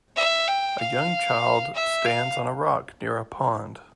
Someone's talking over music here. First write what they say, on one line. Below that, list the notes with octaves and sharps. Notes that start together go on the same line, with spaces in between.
A young child stands on a rock near a pond.
E5
G5
F5
E5
F5